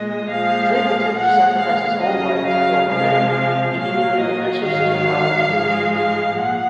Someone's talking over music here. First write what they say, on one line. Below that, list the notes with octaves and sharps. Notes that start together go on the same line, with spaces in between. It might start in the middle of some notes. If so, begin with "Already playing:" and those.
Drake attempts to sacrifice his own life to kill Varnae, engineering an Exorcist-powered explosion.
Already playing: A#2 G#3 D#5
A#2 F3 G#3 F5
F5
A#2 G#3 F#5
F5
F#2 C#3 F#3 D#5
F5
C3 F3 G#3 F5
F5
A#2 F#3 F5
D#5
G#2 D#3 F#3 F5
G#2 F3 G#3
F5
A#2 F#5